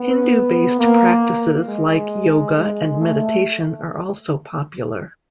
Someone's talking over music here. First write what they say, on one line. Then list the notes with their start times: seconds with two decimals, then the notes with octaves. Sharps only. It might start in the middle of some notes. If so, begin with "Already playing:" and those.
Hindu based practises like Yoga and meditation are also popular.
Already playing: B3
0.79 A#3
1.67 G#3
2.56 G#3
3.00 A3